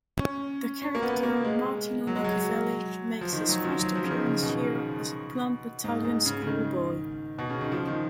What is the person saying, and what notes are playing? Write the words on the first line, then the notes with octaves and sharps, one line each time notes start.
The character Martino Knockavelli makes his first appearance here as a plump Italian schoolboy.
C#4
C#4
A#3
B3
A#3
G#3
F#3
G#3
F#3
F3
D#3
F#3
F3
F#3
F3
C#3
D#3
C#3
B2
G#2
G#2
C#3
C#3
D#3
B2
C#3
D#3
F3
D#3